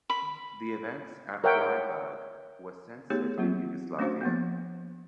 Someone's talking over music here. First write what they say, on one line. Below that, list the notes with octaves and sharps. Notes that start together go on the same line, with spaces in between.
The events at Bleiburg were censored in Yugoslavia.
B5
A#4 C#5 E5 F#5 G5
A3 B3 D#4 G4 G#4 C#5
F#3 A#3 C4 F4
A3 C#4 D4 F#4 C5 F5
F3 A#3 B3